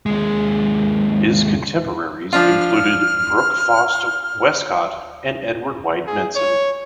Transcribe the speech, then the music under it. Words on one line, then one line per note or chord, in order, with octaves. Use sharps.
His contemporaries included Brooke Foss Westcott and Edward White Benson.
D#2 G#3
F3 D4 F4 F6
G#4
C#5